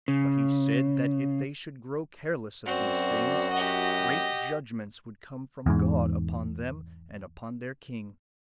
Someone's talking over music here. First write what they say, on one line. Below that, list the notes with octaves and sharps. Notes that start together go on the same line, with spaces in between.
But he said, that if they should grow careless of these things, great judgments would come from God upon them, and upon their king.
C#3
F#2 C4 F#4 D5
G4 D#5 F#5
E2 G#2